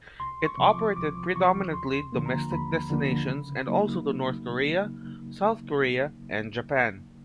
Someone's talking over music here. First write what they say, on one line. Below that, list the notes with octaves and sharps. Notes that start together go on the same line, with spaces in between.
It operated predominantly domestic destinations and also to North Korea, South Korea and Japan.
C2 C6
C#6
C3 F3
D6
C2 D6
C3 F3 C#6
D#2 C6
D3 F3 A#3
A#5
D#2 B5
D3 F3 A#3
C#3
F#3 A#3 D#4